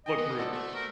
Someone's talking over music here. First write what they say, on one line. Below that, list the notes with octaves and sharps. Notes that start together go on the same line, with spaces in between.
look through it?
D#5 G5 G#5
B3
F#4 A4 C5 D5
A3
A#4